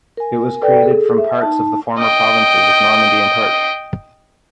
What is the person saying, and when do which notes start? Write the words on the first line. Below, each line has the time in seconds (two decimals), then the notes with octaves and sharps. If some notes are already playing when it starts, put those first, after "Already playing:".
It was created from parts of the former provinces of Normandy and Perche.
0.17 A#4 G#5
0.62 A4 B4 D5 G5
0.83 G#4 A4
1.18 E5
1.42 D#4 A5
1.98 D#5 G5